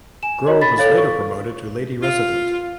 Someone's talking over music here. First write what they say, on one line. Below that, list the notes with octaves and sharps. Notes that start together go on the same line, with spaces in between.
Grove was later promoted to Lady Resident.
G#5 E7
F#4 C#5 D#5
B5 A6 B6
A4 C#5 F5 A6
C#6
F4